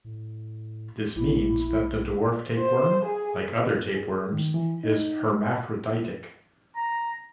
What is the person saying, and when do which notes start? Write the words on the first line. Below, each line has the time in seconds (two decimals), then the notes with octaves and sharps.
This means that the dwarf tapeworm, like other tapeworms is hermaphroditic.
0.04 A2
1.15 A#1 E4
1.67 B1
2.58 C5
3.05 G#4
3.95 G#4
4.32 D#3
4.54 E3
4.84 D#4
5.27 G#3
6.76 A#5